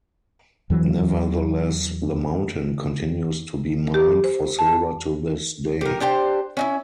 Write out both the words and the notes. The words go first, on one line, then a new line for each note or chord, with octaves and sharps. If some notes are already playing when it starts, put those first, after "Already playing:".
Nevertheless, the mountain continues to be mined for silver to this day.
E2 E3 F#3
G4
C5
A5
G4 A#4
D4 G4 C5 G5
C#4 D#4 E4